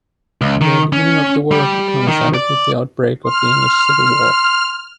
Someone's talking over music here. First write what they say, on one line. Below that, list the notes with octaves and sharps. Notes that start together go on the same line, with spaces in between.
The beginning of the work coincided with the outbreak of the English Civil War.
C#2
D#3
C#4
G3
D#3
D5
C6 F6